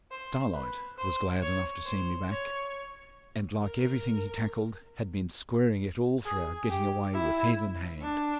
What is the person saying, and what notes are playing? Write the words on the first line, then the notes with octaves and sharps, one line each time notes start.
Starlight was glad enough to see me back, and like everything he tackled, had been squaring it all for our getting away with head and hand.
C5
B4
C5
C#5
C5
C#5
A#4
G#4
G4
E4
D4